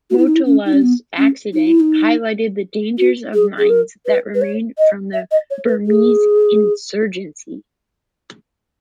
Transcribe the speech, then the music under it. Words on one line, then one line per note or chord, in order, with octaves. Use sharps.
Motola's accident highlighted the dangers of mines that remain from the Burmese insurgency.
F#4
E4
D#4
E4
C#4
D#4
C#4
B3
C#4
D#4
E4
D#4
F#4
G#4
G#4
A#4
B4
B4
C#5
D#5
E5
D#5
C#5
B4
G#4